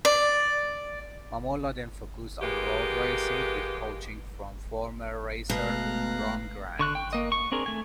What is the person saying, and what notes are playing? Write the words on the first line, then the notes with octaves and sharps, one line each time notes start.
Mamola then focused on road racing with coaching from former racer, Ron Grant.
D5
F3 G#3 A#3 B3 G4
B2 G#3 A3 F5 A#5 F#6
D3 C#6 F#6
G5
A#3 D#5
C#6
C4 D4 G#4 A#4
A3 G#5